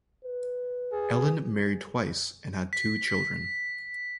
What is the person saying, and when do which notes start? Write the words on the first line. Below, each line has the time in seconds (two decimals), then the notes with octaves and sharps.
Ellen married twice and had two children.
0.25 B4
0.92 G#4
2.73 B6